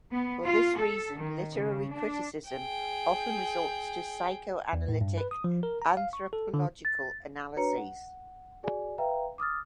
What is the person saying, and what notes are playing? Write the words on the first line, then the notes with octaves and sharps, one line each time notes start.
For this reason literary criticism often resorts to psychoanalytic, anthropological analyses.
B3
F4
A4
D#3
C#3
D4
G#4 G5
E2
A2
G2
B4
D#6
F3
A#4
A#5
F5
C#6
A4
D3
A6
D4 F#4 B4 C#5 A#5 C#7
F#5
F#4 G#4 D5 G#5
B4 E5 F5 G5 A#5
D6 D#6 F6 A6